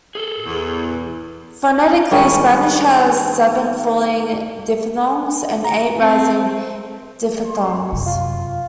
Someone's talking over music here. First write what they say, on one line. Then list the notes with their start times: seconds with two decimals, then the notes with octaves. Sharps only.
Phonetically, Spanish has seven falling diphthongs and eight rising diphthongs.
0.15 G#4 A4
0.46 E2
2.11 G#2 D#3 G3 C#4
5.64 A#5
6.01 C4
7.92 F#2 C3
8.06 F4